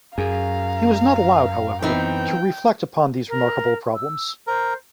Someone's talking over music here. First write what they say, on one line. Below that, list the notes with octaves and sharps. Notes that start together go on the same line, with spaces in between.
He was not allowed, however, to reflect upon these remarkable problems.
F#2 G#4 F5 A#5
E3 B3 C4 D#4 G5
A#4
E6
A#4 C5